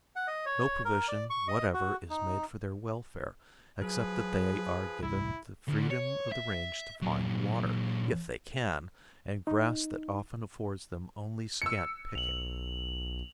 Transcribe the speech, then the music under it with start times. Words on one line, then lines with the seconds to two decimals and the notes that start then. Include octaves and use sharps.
No provision whatever is made for their welfare, except that they are given the freedom of the range to find water, if they can, and grass that often affords them only scant picking.
0.16 F#5
0.27 D#5
0.46 C#5
0.85 A#4
1.08 D5
1.30 C#6
1.48 D#5
1.74 F#4
2.10 D#4
3.82 F3 F#3 G#4 B4
5.02 F1 C2 G2 E4
5.68 D2
5.91 C#5
6.32 E5
7.02 A#2 F#3
9.47 D#4
11.62 E6 C#7
12.15 B1 F7 F#7